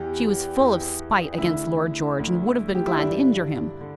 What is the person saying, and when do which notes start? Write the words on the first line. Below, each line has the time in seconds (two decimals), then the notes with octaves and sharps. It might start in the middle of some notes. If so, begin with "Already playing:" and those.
She was full of spite against Lord George, and would have been glad to injure him.
Already playing: E2 E3 G4
0.57 E2 E3
1.37 D2 D3 E4
2.18 D2 D3
2.75 G4
2.86 E4
2.98 G2 D3 D4
3.81 D3